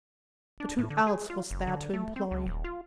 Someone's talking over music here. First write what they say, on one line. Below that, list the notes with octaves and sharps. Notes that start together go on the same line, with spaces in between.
But who else was there to employ?
D4
A2
D3
G#4
F4
F#1
D3
A3
C4
C#2
D#1
F4